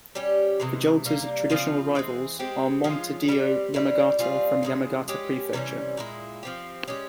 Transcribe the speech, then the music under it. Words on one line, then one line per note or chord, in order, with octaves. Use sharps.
Vegalta's traditional rivals are Montedio Yamagata from Yamagata Prefecture.
G3 C#4 G4
C3 E3 G#3
C3 G3 A#3
C#3 F3 C4 F4
E3 G#3 C4
G#3 C4 G4
F3 G#3 C#4 F4
G3 C4 G4
G3 C4 E4
G3 C4 F4 G#4
C#3 F3 G#3
G#3 C#4 G4
C3 E3 G3 C#4
A#2 G#3 E4
F3 C4 G4
G#3 C#4 G4